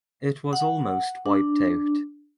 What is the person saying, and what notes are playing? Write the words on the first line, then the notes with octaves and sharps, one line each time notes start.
It was almost wiped out.
F#5
D4